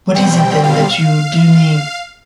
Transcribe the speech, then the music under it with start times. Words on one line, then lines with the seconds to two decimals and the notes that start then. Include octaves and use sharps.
What is it, then, that you do mean?
0.14 B2 G3 C4 G5
0.63 F5